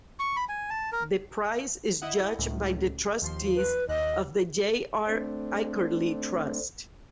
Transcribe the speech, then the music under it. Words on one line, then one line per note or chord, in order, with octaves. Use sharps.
The prize is judged by the trustees of the J. R. Ackerley Trust.
C#6
B5
G#5
A5
A#4
E4 D#5 F#5
C#2 A2
D#2 F3 C6
B4
D#2 D#5 F#6
A3 C4 D4